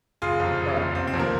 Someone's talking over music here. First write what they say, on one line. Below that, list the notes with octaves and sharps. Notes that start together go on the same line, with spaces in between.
but I don't
F#1 F4 G#4
F2 C3
F#1
F2 C3
C2 C4
C4
C3 F3
A#3